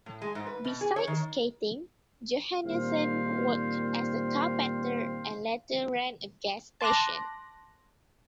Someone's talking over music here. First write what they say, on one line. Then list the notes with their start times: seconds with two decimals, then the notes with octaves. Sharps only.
Beside skating, Johannesen worked as a carpenter and later ran a gas station.
0.06 A2
0.22 G#3
0.35 G#2
0.47 B4
0.64 B2
0.81 G#4
0.96 C#5
1.07 D#3
2.64 A#2 D#3 G3 C4 C5 F5
6.81 A5 C6 D6 F#6 A#6